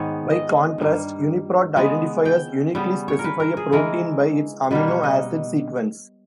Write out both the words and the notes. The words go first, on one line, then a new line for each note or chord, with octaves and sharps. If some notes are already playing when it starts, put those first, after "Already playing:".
By contrast, UniProt identifiers uniquely specify a protein by its amino acid sequence.
Already playing: G#2 D#3 G#3 B3 C#5
D#5
G2 G3 A#3
C#3 G#3 B3
G5
C#3 G3 B3
C#5
A#4
B4
A#4
G#4
C#3 E3 G#3 A#4
B2 G3 A#3 B4
C#5
D#5